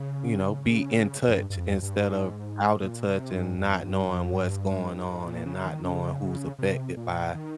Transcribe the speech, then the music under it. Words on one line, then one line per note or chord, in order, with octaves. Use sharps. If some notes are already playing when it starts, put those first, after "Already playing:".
you know, be in touch, instead of out of touch and not knowing what's going on and not knowing who's affected by
Already playing: C#3
F2
G2
G2
F2
G2
G#2
A#2
C3
G2
F2
G2
F2
G2
G2
G#2
A#2
C#3
D#3
C#3
C3
A#2
D#3